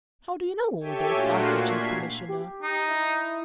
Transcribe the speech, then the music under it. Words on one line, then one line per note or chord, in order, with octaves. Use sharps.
"How do you know all this?" asked the Chief Commissioner.
G4 A4 C#5 E5 G5 G#5
A#2 A3 A#3 D4 F4 F#4
G#6 B6 C7
G4
D#4
E4